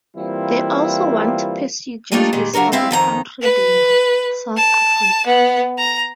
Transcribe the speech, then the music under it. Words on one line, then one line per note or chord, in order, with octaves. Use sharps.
They also want to pursue justice for the country they love, South Africa.
E3 G3 A#3 C4 E4 F4
G3 A3 A#3 D4 D#4 F4
A#2 D#3 G3 G#3
C#3 F#3 D4 A#4 C#5
G#3 C4 E4 E5 F5
F2 D#3 A4 A#5
B4
A5
B3
A#5